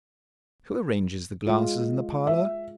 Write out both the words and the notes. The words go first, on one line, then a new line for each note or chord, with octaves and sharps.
Who arranges the glasses in the parlor?
G#3 F4
E5